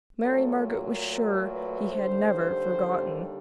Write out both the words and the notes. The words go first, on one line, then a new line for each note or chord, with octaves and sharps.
Mary Margaret was sure he had never forgotten!
A#2 F#3 A3 A4
A#4
A#4
B4
D#2 D3 G3 C5